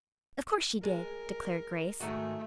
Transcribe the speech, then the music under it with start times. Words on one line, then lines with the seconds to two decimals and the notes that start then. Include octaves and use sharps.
"Of course she did," declared Grace.
0.83 G#3 A#4
2.00 G#2 D#3 A3 F#4